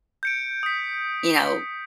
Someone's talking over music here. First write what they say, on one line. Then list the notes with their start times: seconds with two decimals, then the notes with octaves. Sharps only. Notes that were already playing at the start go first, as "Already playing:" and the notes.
you know,
0.23 G6 C#7 D7
0.63 D#6 B6